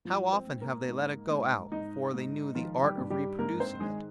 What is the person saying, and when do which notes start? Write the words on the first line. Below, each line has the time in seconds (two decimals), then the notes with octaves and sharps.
How often have they let it go out, before they knew the art of reproducing it?
0.05 G#2 F3 F4
0.33 C4 C5
0.47 G#2
0.61 A#3 A#4
0.88 G#2
1.30 G#2
1.72 G#2 D#4 D#5
2.14 G#2
2.55 D#3 F3 F4
2.83 G3 G4
2.98 G2
3.10 G3 G4
3.39 G#2 A#3 A#4
3.60 C4 C5
3.80 D#3 G#3 G#4